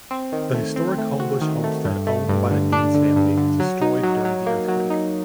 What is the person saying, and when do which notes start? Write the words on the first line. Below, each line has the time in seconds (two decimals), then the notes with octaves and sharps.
The historic Homebush Homestead owned by the Deans family was destroyed during the earthquake.
0.11 C4
0.32 D#3
0.54 A3
0.76 C4
0.98 A3
1.20 F#4
1.41 D#3
1.64 A3
1.85 G2
2.07 A3
2.29 G2
2.51 D3
2.72 D4
2.94 D3
3.16 G2
3.38 D3
3.60 F#3
3.81 D#4
4.03 F#3
4.25 F#3
4.46 A#3
4.68 F#3
4.90 D#4